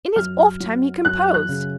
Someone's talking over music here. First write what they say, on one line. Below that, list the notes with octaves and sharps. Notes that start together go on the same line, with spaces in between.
'In his off time, he composed.
F#2 F6
F#3
F#2 F#6
F#6
C#3